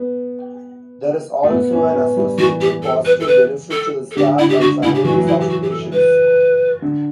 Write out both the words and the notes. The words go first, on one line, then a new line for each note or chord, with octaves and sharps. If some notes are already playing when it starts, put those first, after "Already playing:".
There is also an associated positive benefit to the staff and families of patients.
Already playing: B3
A3
B3
C#4
B3
G3
E3 F#4
G4
A4
B4
A4
B4
A4
A4
D3 G4
C#3 E4
G4
D3 F#4
C#3 E4
G4
E3 F#4
F#3
E3
E4
G4
F#4
G4
A4
B4
D3